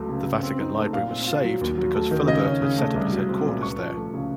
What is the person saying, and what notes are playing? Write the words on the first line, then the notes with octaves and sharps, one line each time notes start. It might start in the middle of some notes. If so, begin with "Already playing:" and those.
The Vatican Library was saved because Philibert had set up his headquarters there.
Already playing: C#2 F#3 A3
C#3
C#3
C4
D#4
A3
A#2 F5
C4
F4
F#3
D#2
F#3
A3
D#3
C#3 D#5
C#4
C#3
A3
C2
F#3
C4
A#2
C#2 C#6
F3
A3
C#3